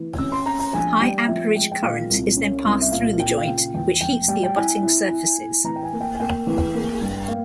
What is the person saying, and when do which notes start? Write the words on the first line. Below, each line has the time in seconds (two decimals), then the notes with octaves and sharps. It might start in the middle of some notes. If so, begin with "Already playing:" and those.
High-amperage current is then passed through the joint, which heats the abutting surfaces.
Already playing: E3
0.18 C#4 E6
0.32 C6
0.46 C#4 A#5
0.59 A#5
0.73 A#1 G#5
1.01 G3 G5
1.28 F3 E5
1.55 G#3 G5
1.72 G5
1.82 A#2 F5
2.10 C2
2.37 C#4
2.64 C2
2.81 E5
2.91 A#2 F5
3.19 A#2 G5
3.38 F5
3.47 C#3 G5
3.74 E2 G5
4.01 F1 G5
4.28 G3 G5
4.43 G5
4.56 E4 G#5
4.83 E4
5.10 E4
5.38 E4
5.64 E3 A#5
5.76 G5
5.83 G#5
5.93 A#3
6.01 G5
6.15 G#5
6.20 A#3 G5
6.47 E3
6.75 A#3
7.01 G2
7.28 A#3 F5